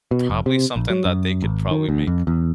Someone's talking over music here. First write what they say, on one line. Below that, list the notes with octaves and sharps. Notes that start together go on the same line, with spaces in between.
probably something that they could probably make
B2
F1
C3
A#1
F#3
F#2
G#1
D#3
D2
F2
E2